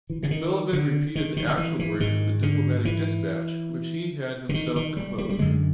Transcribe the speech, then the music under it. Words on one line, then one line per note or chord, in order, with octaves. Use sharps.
And Bilibin repeated the actual words of the diplomatic dispatch, which he had himself composed.
E3
D3
D#3
D3
D#3
D#3
D#3
E3
E3
G#2 D#3
D3
E3
D3
D#3
D#3
G3
G3
G3
F#2 D3 G#3